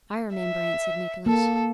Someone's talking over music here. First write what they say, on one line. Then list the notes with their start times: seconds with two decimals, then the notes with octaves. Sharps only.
"I remember," answered Nicholas.
0.35 E5
1.26 A#3 A4